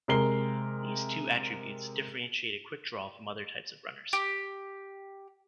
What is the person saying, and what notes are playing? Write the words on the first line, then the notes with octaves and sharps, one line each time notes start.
These two attributes differentiate a quickdraw from other types of runners.
C3 G#3 A#4 C7 G7
G4